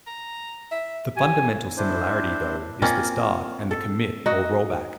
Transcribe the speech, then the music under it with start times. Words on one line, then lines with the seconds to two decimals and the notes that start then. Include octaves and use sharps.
The fundamental similarity though is the start and the commit or rollback.
0.07 A#5
0.71 E5
1.17 G4 G#5
1.77 C4 D4 E4 C5
2.82 A#3 C4 C#4 F4
3.71 A4
4.26 D#4 F#4